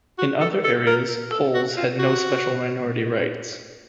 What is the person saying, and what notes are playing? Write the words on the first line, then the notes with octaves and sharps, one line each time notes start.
In other areas Poles had no special minority rights.
F#4
A4
A4
A#4
A4
F#4
F4
F#4